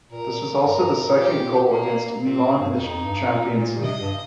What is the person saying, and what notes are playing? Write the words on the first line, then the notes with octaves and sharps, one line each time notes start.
This was also his second goal against Milan in the Champions League.
A#2 A#4
G2 A#4
G2
C3
A#2
G4
A#3
A#2 C4
C3
G2
F2 D#4
G2
A#2
A#2
D#3
C3 D#5
G2